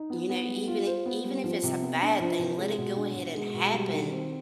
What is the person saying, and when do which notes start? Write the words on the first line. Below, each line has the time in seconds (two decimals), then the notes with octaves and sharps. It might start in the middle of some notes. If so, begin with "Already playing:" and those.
you know, even i even if it's a bad thing, let it go ahead and happen
Already playing: D#4
0.10 B3
0.29 B3
0.48 G3
0.68 F4
0.87 C5
1.06 B3
1.24 G3
1.44 F3
1.63 C3
1.82 B3
2.01 D4
2.20 F3
2.39 C3
2.58 G#3
2.78 B2
2.97 D4
3.16 B2
3.35 G#3
3.54 B2
3.73 G3
3.93 D#3
4.11 C4